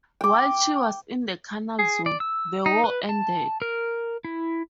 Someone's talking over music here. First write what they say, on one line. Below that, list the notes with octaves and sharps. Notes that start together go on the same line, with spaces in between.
While she was in the Canal Zone, the war ended.
G5 D6
G#4
D5
E6
D#4
B4
A5
A#4
E4